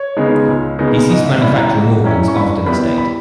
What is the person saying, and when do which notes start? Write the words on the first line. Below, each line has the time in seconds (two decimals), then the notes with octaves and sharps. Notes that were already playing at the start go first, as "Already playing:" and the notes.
He ceased manufacturing organs after this date.
Already playing: C#5
0.17 C#3 G#3 B3 D#4
0.48 C#2
0.79 C#3 G#3 B3 D#4
1.10 G#2 D#5
1.26 E5
1.41 G3 C#4 E4 B5
1.57 A#5
1.73 G#2
2.04 G3 C#4 E4 A#5
2.28 C#6
2.36 G2 B5
2.66 G3 B3 E4 B5
2.98 B5